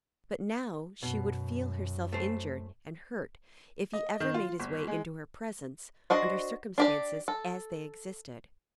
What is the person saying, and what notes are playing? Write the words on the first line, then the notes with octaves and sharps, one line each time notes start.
But now, she would feel herself injured and hurt if he ever made his way into her presence under circumstances as they existed.
F#2 B2
A3 C5
D#5
D#3
F4
G1
G#3
D4 F#4 C5 D#5
D4 G4 D5
A4